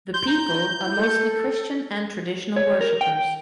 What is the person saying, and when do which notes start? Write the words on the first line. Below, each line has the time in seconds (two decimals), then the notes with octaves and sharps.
The people are mostly Christian and traditional worshippers.
0.14 C6 G6
0.27 A#5
0.82 E4
0.97 A4
2.56 C#5
2.81 A#4
3.01 G5